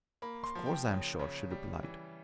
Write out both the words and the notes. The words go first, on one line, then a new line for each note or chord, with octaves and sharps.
"Of course I'm sure!" she replied.
A#3 B5
C6
F3
G5
C#3
C#3
G3
E3